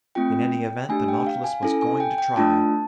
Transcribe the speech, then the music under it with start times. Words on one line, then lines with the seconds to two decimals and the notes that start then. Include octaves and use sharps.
In any event the Nautilus was going to try.
0.15 A3 C4 F4 G5
0.89 A3 D4 G4 G#5
1.08 G5
1.27 F5
1.44 G#5
1.63 C#4 E4 A4 G#5
1.81 G#5
2.00 G5
2.18 G5
2.36 A3 D4 F4 A5